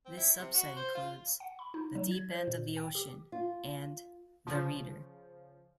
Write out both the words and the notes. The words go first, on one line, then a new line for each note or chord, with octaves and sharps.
This subset includes "The Deep End of the Ocean" and "The Reader".
C4
E4
C3
F#4
C5
F4
F#5
B5
D#4
F#3
G#6
C5
A#2
G5
G4
F4
C#3 F3